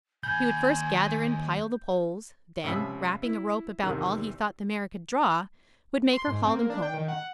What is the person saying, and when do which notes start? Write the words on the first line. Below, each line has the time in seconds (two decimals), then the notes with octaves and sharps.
He would first gather and pile the poles; then, wrapping a rope about all he thought the mare could draw, would make her haul them home.
0.23 D#2 G#5 B5 G6
2.64 C#2 C3 F3 E5 B5 D#6
3.22 E4
3.83 E2 C3 D#3
6.13 C6
6.27 G#2
6.42 C4
6.55 A#3
6.70 D4
6.82 G5
6.94 D#3
7.08 F#5